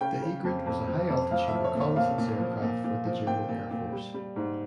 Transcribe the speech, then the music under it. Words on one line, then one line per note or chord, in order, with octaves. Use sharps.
The Egrett was a high altitude reconnaissance aircraft for the German Air Force.
C#3 G5
C#3
F2
F2
F3
F2
F3 F5
E5
F3
C#5
A#2
C#5
A#2 F5
A#2
F3
A#2
A#2
F3
A#2 G5
A#2
A#2
G3
G3
G#2